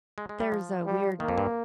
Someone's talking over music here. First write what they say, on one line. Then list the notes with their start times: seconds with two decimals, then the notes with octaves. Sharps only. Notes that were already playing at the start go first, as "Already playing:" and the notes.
there's a weird
0.18 G#3
0.29 G#3
0.40 G3
0.52 F3
0.86 G3
1.20 D#3 A#3
1.28 F2
1.38 G2